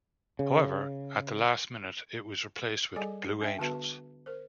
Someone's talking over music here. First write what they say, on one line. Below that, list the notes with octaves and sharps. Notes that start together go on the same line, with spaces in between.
However, at the last minute, it was replaced with "Blue Angels".
C#3
G3 G#4 A4 D#5 G#5
D4 E5 G5
D3 B3 F#4 B4 A5
A#4 C5